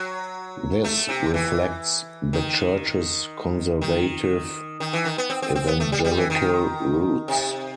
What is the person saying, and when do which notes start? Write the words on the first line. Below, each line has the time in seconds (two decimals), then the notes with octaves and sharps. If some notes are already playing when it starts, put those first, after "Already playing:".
This reflects the church's conservative Evangelical roots.
Already playing: F#3
0.84 A3
1.08 C3
1.34 E3
2.33 D#3
3.81 D#3
4.80 D#3
4.93 E3
5.05 D#3
5.18 B3
5.30 C4
5.42 C4
5.55 C4
5.67 B3
5.80 A3
5.92 G3
6.04 G3
6.17 E3
6.30 D#3
7.28 C3